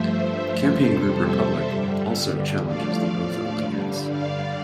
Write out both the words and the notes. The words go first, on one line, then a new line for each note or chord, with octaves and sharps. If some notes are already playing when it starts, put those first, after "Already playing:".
Campaign group 'Republic' also challenges the oath of allegiance.
Already playing: G2 F3 A3 C5 E5
F2 C3 G3 A4 C5
C5 E5
G2 D3 G3
A2 F3 A3 D5 F5
D5 F5
G2 D3 G3
D5 F5